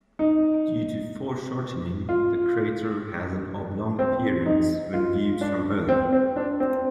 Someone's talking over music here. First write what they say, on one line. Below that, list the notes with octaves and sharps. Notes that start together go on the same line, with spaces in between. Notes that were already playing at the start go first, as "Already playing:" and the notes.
Due to foreshortening, the crater has an oblong appearance when viewed from Earth.
D#4
F4
C4
D#4
F4
D4
C4
C4
D4
C4